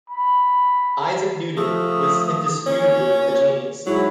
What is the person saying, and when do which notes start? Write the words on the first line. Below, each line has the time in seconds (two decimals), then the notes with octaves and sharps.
Isaac Newton was indisputably a genius.
0.10 B5
1.57 F3 A3 D#6
2.66 A#2 C#4 C#5
3.86 G#2 F#3 E4